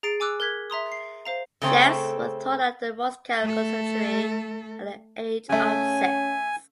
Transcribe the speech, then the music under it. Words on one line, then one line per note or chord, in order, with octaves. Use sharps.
Scheps was taught at the Moscow Conservatory at the age of six.
G#4 A#5 A6 C7 D7
G#5 D6 E6 F#6
A#4 F#6 G#6 B6
E5 A#5 C6 D#6
C7
C5 F5 A#5
C#3 A3 C4
A3 A4
C#3 A3 C#4 G#5